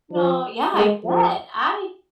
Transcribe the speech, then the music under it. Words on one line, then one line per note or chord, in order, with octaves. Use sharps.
No, yeah, I bet. I
F3
G#3
F3